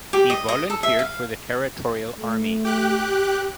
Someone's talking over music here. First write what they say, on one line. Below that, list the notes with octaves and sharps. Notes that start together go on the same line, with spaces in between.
He volunteered for the Territorial Army.
G4
D#5
D#5
A4
E5
F5
A3
G4 F#6